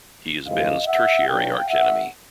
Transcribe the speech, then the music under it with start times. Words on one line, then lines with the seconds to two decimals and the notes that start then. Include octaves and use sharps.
He is Ben's tertiary archenemy.
0.46 F2 C3 E3 G#3 D#5 F5
0.86 E5 F#5
1.27 B2 F#3 B3 D4 F5 G5
1.67 E5 F#5